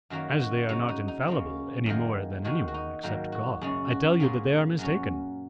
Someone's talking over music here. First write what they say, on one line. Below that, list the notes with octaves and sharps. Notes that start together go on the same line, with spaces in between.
As they are not infallible any more than any one, except God, I tell you that they are mistaken.
F#2 D#3 F#3 A#3 F#4
F#4
C#3 F#3 D#4 F#4
D#4
D#4
C#3 A#3 C#4
F#2 D#3 A#3 G#4
D#3 G#3 D#4 F#4
F#4
D#4
G#2 D#3 F#3 A#3
F#4
F#2 C#3 G#3 C#4 G#4
F#4
A#2 A#3 C#4 G#4
F#2 F#3 C#4